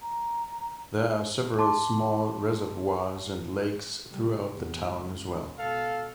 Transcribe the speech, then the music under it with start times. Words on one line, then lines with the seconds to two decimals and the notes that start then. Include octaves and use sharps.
There are several small reservoirs and lakes throughout the town as well.
0.01 A#5
1.59 A5 C6 D6
4.09 C3 G3
4.53 E2
4.89 C#2 C#3
5.58 B2 A4 F5